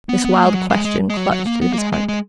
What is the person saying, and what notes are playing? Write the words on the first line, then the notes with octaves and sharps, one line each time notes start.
This wild question clutched at his heart.
B3
B3
A#3
G#3
F#3
G#3
G#3
G#3
F#3
F#3
A#3
B3
A#3
G#3
G#3
G#3